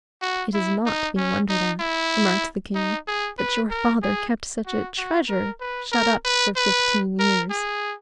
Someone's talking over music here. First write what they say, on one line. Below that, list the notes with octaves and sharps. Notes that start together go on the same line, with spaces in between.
"It is not to be wondered at," remarked the King, "that your father kept such a treasure shut up for fifteen years."
F#4
E4
D#4
C#4
D#4
E4
D#4
G#4
B4
A#4
G#4
F#4
F#4
A#4
B4
A#4
B4
B4
A#4
G#4